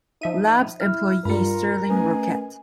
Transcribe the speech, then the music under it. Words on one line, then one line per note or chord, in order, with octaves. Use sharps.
Labs employee Serling Roquette.
F3 D#4 E5 D#7
E4 F6
G2 G3 F4 A#4 B5 C#7
A3 C#4 B4 G#5